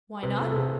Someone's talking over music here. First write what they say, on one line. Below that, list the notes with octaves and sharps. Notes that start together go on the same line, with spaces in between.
"Why not?"
C3 B4
A3 A4
A4
C3 G#4